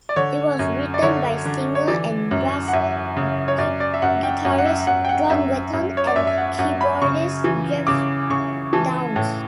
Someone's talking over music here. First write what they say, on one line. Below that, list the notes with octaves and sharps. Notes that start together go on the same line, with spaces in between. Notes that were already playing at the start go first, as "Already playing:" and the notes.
It was written by singer and bass guitarist John Wetton, and keyboardist Geoff Downes.
D5
D3 C#5
F#2
D5
D3 C#5
D3
C#5
E3 D5
F#2
F#5
F#2 E5
C#3
C#5
F#2 D5
D5
E5
F#2 F#5
G5
F#2 F#5
F#5
E5
F#2 F#5
G5
F#5
F#2 E5
F#2
C#5
D5
F#2 E5
E5
F#5
F#2 F#5
B5
C#3 C#6
E3
C#3 D6
C#3 C#6
E3 A5
A2